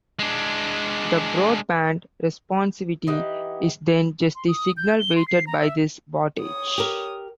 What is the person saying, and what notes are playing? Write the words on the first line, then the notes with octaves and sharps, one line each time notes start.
The broad-band responsivity, is then just the signal weighted by this wattage.
G#3 D4
E3 D#4 G4 F#5
C6
D#6
G6
G7
C6
C7
A#5
E5
C#5 D#6
G4 A#4